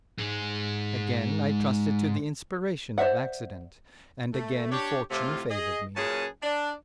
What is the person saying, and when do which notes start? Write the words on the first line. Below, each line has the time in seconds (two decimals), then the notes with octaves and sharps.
Again I trusted to the inspiration of accident, and again fortune favoured me.
0.19 G#2 G#3
2.98 C5 D5 E5 F#5
4.33 A3
4.71 D4 G4 C#5
5.11 A2 C3 F4
5.50 G#4 D#5
5.96 F#2 A#2 C#4 G#4 B4 A5
6.43 D4